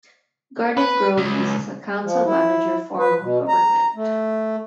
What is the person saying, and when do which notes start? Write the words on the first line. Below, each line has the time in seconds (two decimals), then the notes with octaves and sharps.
Garden Grove uses a council-manager form of government.
0.77 B4
1.18 C#2
2.03 F3
2.25 E4
2.98 B4
3.21 B2
3.48 A#5
3.95 A3